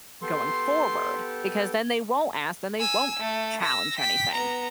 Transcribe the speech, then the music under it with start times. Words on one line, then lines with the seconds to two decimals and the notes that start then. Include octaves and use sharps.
going forward, because then they won't ask, then they won't challenge anything.
0.22 B3 G4 A4 C6
2.80 G#5 E6
3.19 A3
3.61 E6 A#6
3.98 G5 B6
4.34 B3 A#5